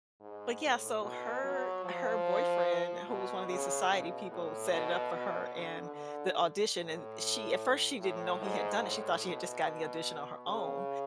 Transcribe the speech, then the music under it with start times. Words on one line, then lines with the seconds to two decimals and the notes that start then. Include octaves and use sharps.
Like, yeah, so her her boyfriend who was one of these society people set it up for her and the audition, and she at first, she didn't know he had done it, she thought she had just gotten the audition on her own
0.20 G#2
0.60 A2
1.02 B2
1.44 F#3
1.85 F3
3.07 B2
3.48 C#3
3.90 B2
4.31 A2
4.72 B2
5.13 B2
5.54 D3
5.95 D3
6.77 A2
8.00 A2
8.41 G#2
8.83 A2
9.24 B2
10.47 C#3